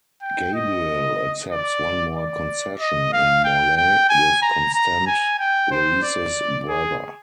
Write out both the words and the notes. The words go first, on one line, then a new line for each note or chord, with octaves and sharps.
Gabriel accepts one more concession in Morlaix with Constant, Louise's brother.
G5
D#5
D5
D5
D#5
F5
G5
G5
G#5
A#5
A#5
G#5
G5
C5
D5
G#4